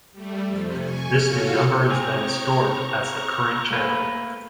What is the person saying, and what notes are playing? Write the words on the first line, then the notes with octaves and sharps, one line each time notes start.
This new number is then stored as the "current channel".
G3 A3
F2 C3
G#5 C#6
F4 F#4 A4 C#5 F5 C#6
C4 G#4 A#5 C#6
A3 A#3 B4